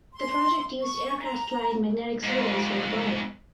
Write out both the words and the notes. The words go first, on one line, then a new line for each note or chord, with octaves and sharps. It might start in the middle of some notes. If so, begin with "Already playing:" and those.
The project used aircraft flying magnetic surveys worldwide.
C6
C#6
A#5
F2 G#2